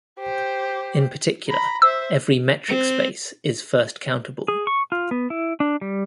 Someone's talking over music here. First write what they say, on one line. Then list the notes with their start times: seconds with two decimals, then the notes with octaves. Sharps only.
In particular, every metric space is first-countable.
0.20 G4 C5
1.48 A#5 B5
1.82 C5 E5 E6
2.68 C4
4.48 G#4
4.67 C#6
4.92 F4
5.11 B3
5.30 E4
5.60 D4
5.81 G3